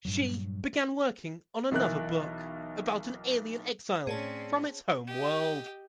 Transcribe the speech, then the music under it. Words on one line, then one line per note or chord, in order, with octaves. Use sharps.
She began working on another book about an alien exiled from its home world.
G2 A#2 F#3
B1 E3 A#4 F#6
A2 C4 C#4 G#4 C#5 D5 A5
G4 D#5